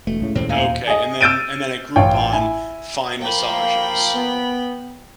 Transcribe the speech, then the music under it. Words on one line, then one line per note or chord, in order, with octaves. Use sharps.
Okay, and then and then at Groupon, find massages.
E1 B2 A3
C#2 A2 C#3
D#2 A#2 C4
D#4 F5 G#5
G#4 D#5
E6 F6 G6 A6 D7 D#7
A1 F4 C#5 G5
E4 G#5
F3 A#3 G5 B5
B3